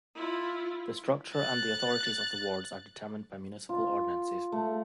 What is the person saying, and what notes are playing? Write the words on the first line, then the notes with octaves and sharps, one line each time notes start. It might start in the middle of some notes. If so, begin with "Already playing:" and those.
The structure and the authorities of the wards are determined by municipal ordinances.
E4 F4
F#6 A6
F4
A3